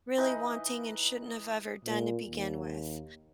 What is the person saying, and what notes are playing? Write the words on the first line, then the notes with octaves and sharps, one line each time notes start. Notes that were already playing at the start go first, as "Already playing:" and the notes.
really wanting and shouldn't have ever done to begin with,
E3 D#4 B4 D#5
A#2
D#2